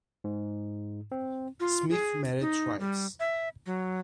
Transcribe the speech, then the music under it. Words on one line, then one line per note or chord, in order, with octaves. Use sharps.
Smith married twice.
G#2
C4
F4
G#4
D#4
G3
E5
F#3